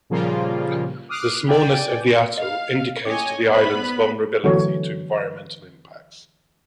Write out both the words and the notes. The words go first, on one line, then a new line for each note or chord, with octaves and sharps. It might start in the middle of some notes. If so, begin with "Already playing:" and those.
The smallness of the atoll indicates to the islands' vulnerability to environmental impacts.
A#2 C#3 F3 G3 A#3 F4
D6 D#6 F6 F#6 C7
D5 G5 G#5
D#5 F5
C#4 C#5 D#5 G#5 D6
B3 B4 C5 D5 B5
D3 E3 F#3 A3 C#5